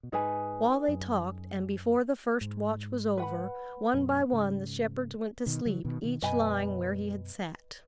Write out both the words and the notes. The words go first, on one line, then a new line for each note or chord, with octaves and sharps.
While they talked, and before the first watch was over, one by one the shepherds went to sleep, each lying where he had sat.
B2
G#2 D#4 G#4 B4 G#5
F#2
G#2
B4 F#5 B5
F#2 B2
G#2 C#3
B2 D#3
C#3 F#3
B2 D#3
B2 D#3
F#2 B2 B4 D#5 G#5 B5